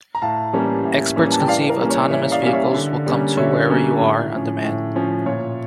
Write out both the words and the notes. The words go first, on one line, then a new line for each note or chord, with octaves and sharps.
Experts conceive autonomous vehicles will come to wherever you are on demand.
A#5
A2 F5 A5
E3 G3 A#3 C#4
A2
E3 G3 A#3 C#4
A5
G5
E3 D5 F5
A#4
G3 A#3 C#4
C#5
E3 C#5 E5
D5 F5
G3 A#3 C#4 F5
C#5 E5
D3
G3 A#3 C#4
D3 C#5 E5
G3 A#3 C#4
A2
F3 C#4
A2
F3 C#4
A#2 C#5